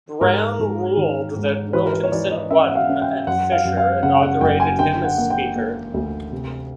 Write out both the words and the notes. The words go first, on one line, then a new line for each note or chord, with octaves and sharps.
Brown ruled that Wilkinson won and Fisher inaugurated him as Speaker.
G#2 A#4
G#2
D#3
G#2
E3 B4
A#4
B4
C#5
E3 D5
D#5
C#4 E5
F#5
F5
C#4
G5
F#2 F#5
F5
F#2
F5
C#3 F#5
F#5
F#1 G5
G#5
D3 G5
F#5
A#3
G5
A#3
D2
C3